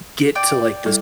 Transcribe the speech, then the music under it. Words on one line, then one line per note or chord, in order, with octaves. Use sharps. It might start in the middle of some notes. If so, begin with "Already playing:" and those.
get to, like, this
D5 G5
G3 E4 A4